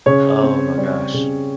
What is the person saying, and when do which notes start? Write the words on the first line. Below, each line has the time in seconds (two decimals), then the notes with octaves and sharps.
Oh my gosh.
0.06 C#3 C#5
0.43 C4
0.78 G3
1.14 C#3